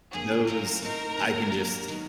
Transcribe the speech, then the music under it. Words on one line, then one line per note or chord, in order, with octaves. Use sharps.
Those, I can just
D3 F#3 A#3 G#4
C#3 F#3 A3 C4 F4 A#4
A3 C4 D#4 G#4 A#4 C5
D3 F#3 A#3
F#3 A#3 D4
D#3 F#3 B3